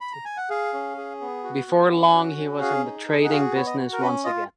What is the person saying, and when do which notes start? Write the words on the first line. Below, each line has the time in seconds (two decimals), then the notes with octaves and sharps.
Before long he was in the trading business once again.
0.00 B5
0.12 A#5
0.25 G#5
0.37 F#5
0.50 G#4 F5
0.73 C#4
0.97 G#4
1.21 B3
1.43 F#4
1.68 B3
1.91 C#4
2.14 F#4
2.37 C#4
2.61 G#4 F5
2.85 D#4
3.08 G#4
3.24 F#5
3.31 F#4 F5
3.55 B3 C#5
3.67 D#5
3.79 F#4
3.93 A#4
4.01 C#4 B4
4.24 F4 D#5